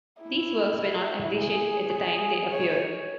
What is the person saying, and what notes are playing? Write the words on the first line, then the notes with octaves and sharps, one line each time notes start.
These works were not appreciated at the time they appeared.
E4
G#4
C#5